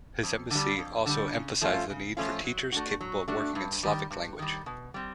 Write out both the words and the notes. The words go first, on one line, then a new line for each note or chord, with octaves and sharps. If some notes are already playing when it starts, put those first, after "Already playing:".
His embassy also emphasized the need for "teachers" capable of working in Slavic language.
F2
D3 G3
F2
D3 G3
C#3
F3 A3 C#4 F4
C#3
F3 A3 C#4 F4
F#3
A3 D4 F#4
F#3
A3 D4 F#4
G2
D#3 G3
G2
D#3 G3
B2
G3 C4